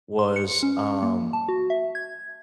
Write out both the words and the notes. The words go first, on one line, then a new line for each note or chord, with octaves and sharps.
was, um
C6
C#7
C#4
A#3
A5
F#4
E5
G#6